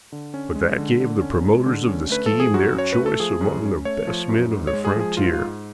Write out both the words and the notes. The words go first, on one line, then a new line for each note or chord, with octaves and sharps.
But that gave the promoters of the scheme their choice among the best men of the frontier.
D3
C#4
G#3
D3
D3
C#4
G#3
D3
C#4
A3 B4
A4
F3
G#4
F#2 F#4
C#4 C#5
B4
A3
A4
F3 G#4
F#2
C#4
A3 C#5
F3
F#2
G#2
C#5
G#3
G#4
F3 G#4
G#2 F4
F4
G#2